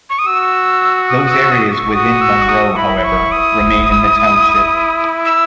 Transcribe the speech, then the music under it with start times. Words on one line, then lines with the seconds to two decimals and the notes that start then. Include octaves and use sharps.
Those areas within Monroe, however, remain in the township.
0.10 C#6
0.19 D#6
0.27 F#4 E6
1.10 D#6
1.25 D#6
1.31 E6
1.52 D#6
1.72 C#6
1.93 F#4 D#6
2.21 E6
2.42 C#6
2.49 D#6
2.76 E4 B5
3.04 C#6
3.32 D#6
5.25 E6